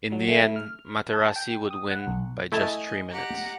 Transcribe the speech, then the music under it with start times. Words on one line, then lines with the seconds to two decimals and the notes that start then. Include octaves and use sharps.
In the end Materassi would win by just three minutes.
0.12 F#3
0.29 A3
0.56 F6
1.13 A5
1.36 G5
1.71 D#6
1.91 F#5
2.07 B1
2.52 A3 E4 D#5 G#5 A5
3.11 G4 F#5 A#5